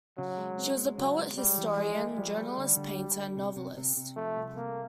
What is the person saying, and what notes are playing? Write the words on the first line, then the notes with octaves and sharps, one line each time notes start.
She was a poet, historian, journalist, painter and novelist.
C#3 F#3
G#3
C4
G#3
C#3 F#3
G#3
G3 G#3
E3
F3 G#3
A3
F3 G3
A3
D3
D3
D2
D3
C3
C3
C3
C3
F3 A3
C2
C3 A#3